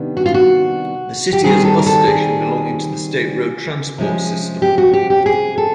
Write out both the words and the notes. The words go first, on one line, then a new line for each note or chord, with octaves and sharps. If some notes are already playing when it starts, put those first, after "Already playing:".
The city has a bus station belonging to the State Road Transport System.
Already playing: C3 D#3 G3 B3 D4
F#4
F4
F#4
G4
D#3 G3 C4 G#4
A4
A#4
A4
G#4
C3 F3 G#3 C#4
G4
F#4
G4
G4
G#4
A4